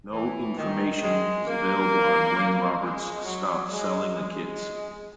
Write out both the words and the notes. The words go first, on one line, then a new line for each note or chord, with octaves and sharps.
No information is available on when Roberts stopped selling the kits.
E3
D#3
G#3
A#3
G#3
F#3
G#3
G#3